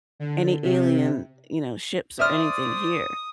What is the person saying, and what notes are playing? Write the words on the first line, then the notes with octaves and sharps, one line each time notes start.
any alien, you know, ships or anything here.
D3
C3
C5 D5 E5 D#6 F6